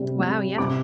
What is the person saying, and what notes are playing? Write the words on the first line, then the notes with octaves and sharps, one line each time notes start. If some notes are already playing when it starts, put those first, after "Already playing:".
Wow, yeah.
Already playing: C3 G3
G3
C3 D6